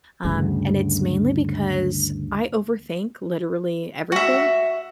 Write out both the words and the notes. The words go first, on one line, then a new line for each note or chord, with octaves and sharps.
um, and it's mainly because I overthink literally everything,
D2 G2 C#3
F#4 E5